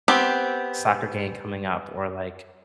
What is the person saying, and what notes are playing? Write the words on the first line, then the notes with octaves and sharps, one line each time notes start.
soccer game coming up?" Or, like,
B3 C4 G4